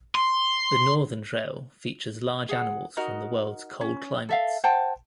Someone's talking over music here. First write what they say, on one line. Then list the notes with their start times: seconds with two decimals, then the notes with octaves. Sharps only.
The Northern Trail features large animals from the worlds cold climates.
0.15 C6
2.49 G#4 F#5
2.97 D#4 F#4 A#4 D#5
3.81 C#4
4.29 A4 E5 F5
4.64 C5 F#5 G5 A5